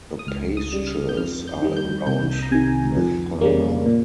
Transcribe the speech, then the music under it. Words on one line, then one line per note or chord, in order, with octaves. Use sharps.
The pastures are around Methana.
D#6
C#2 F6
D#6
C#3 G3
F6
G6
F2 F6
G6
D#3 G3
G6
C2 G6
A#5
C3 D#3 G#5
F2
C#3 G3 A#3
A#2